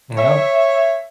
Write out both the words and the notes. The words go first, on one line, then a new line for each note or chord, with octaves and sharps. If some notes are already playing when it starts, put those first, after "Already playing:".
And, yep.
C#5 E5